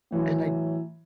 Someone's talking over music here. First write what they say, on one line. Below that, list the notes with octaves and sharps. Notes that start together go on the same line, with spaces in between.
And I
A2 E3 F#3